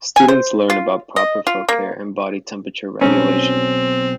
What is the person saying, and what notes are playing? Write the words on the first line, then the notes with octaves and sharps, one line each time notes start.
Students learn about proper foot care and body temperature regulation.
G#5
C5
F4
D#5
F4
A#3
B1 C4 C#4